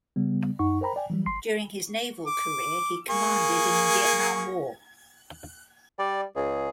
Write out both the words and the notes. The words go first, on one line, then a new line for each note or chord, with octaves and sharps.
During his naval career he commanded in the Vietnam War.
C#3 G3 B3
F#2 D#4 F#5 C#6
A#4 C5 G5 A#5 B5
D5 G5 G#5
E3 F#3 G3
G1 C6 C7
D6
A#3 G#4 C#6
G3 D5
C#2 G#4